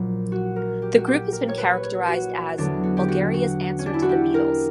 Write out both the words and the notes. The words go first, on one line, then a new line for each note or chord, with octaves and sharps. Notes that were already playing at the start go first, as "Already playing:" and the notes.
The group has been characterized as "Bulgaria's answer to The Beatles".
Already playing: A#1 A#2 F#3 A#3
F#4
A#4
G4
F#4
G4
A#4
C#5
B4
C#5
F#4
E2 D3 F#3 B3 D4
F#4
G4
F#4
F#4
C#4
D4
E4
F#4
G4
A#4